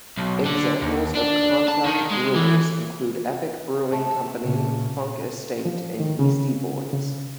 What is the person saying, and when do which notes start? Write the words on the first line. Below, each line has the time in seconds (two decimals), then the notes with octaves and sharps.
Examples of contract brewers include Epic Brewing Company, Funk Estate and Yeastie Boys.
0.18 B1
0.45 D3
0.82 D#2
1.15 D4
1.69 A5
1.86 D#3
2.11 G#3
2.36 E3
3.92 A3
4.41 A#2 C#3
5.65 F3
6.00 D#3
6.19 C#3
6.93 C#3